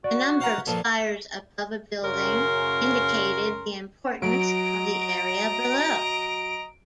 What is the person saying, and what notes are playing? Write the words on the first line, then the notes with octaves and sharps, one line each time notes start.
The number of spires above a building indicated the importance of the area below.
F#4 D5
F5 F#5 A#5
G2 A#2 F3 A4
F#2 C#3 C#4 A#4 C6
F#3 D#5 A#5 D7